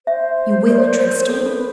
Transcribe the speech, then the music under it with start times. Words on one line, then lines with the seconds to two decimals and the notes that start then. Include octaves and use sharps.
"You WILL trust me?"
0.06 C5 E5
0.70 D5
0.76 C#5
0.94 C#5
1.11 A#4
1.21 A#4
1.29 A4
1.45 A4 B4